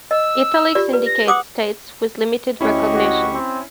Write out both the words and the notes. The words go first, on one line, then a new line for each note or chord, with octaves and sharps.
"Italics" indicate states with limited recognition.
D#5 E6
F4 G4 D5
B4
A#6
G#4 F#5 D6 D#6
D2 C#4 E4 G4 D#5 C#6
F#4
C4